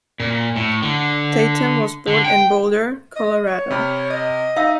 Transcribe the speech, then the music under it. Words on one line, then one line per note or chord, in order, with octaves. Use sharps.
Tatum was born in Boulder, Colorado.
A#2
A2
D3
D3
G5
D#5
C#5
C3 B5 F6
D#5
D#4 E5 F5 E6